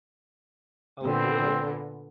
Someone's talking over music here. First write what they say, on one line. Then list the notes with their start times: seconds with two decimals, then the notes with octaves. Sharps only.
Oh, really?
1.03 A#2 D3 B3 C4